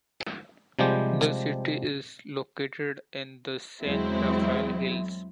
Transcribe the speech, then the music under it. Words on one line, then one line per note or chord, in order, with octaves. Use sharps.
The city is located in the San Rafael Hills.
C3 F3 G3 G#3 G4
E2 F#3 G#3 C4 E4